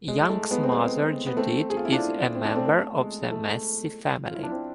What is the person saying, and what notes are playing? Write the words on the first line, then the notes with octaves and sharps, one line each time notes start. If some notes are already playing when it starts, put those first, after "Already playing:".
Young's mother Judith is a member of the Massey family.
G#3
G#3
A3
G#3 B3
C4
G#3 B3
B3
A3 C4
G#4
F4
E4
D4 F4
C4
D4
A3 C4
A3
G#3
A3
F4
E4
D4
C4